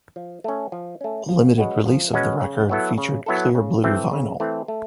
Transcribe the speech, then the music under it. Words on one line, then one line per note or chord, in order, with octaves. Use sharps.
A limited release of the record featured clear blue vinyl.
F3
A3 C#4
F3
A3 C#4
F3
G#3 C#4 F#4 B4
F3
G#3 C#4 F#4 B4
C#3
F#3 B3 E4 A4
C#3
F#3 B3 E4 A4
C#3
E3 A3 C4
C#3
E3 A3 C4
A3